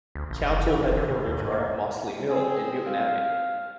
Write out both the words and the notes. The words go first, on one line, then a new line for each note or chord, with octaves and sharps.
Council headquarters are at Mossley Mill in Newtownabbey.
D2
A#1
F1
F#1
E3
F#1
D3
B2
D#2
G#2
A#3
C4 G#4
F5